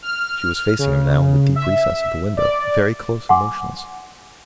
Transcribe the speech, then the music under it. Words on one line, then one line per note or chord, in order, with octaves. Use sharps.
She was facing him now in the deep recess of the window, very close and motionless.
F6
C#3
E5
D5
F#5 G#5 C6 D6